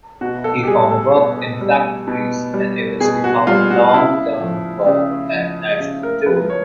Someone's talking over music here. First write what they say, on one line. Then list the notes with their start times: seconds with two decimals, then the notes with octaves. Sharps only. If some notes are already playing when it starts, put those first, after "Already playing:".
He found work in factories, and eventually found long-term work at National Tool.
0.21 B2 F#4
0.44 A4
0.63 G4
0.67 G3 G#4
0.91 A4
1.14 B2
1.61 G3
2.07 B2
2.54 G3
3.00 B2 G#4
3.24 F#4
3.47 G3 F4
3.70 F#4
3.94 C#3 E4
4.40 F3
4.86 C#3
5.33 F3
5.80 C#3
6.03 A#4
6.26 F3 B4
6.50 C#5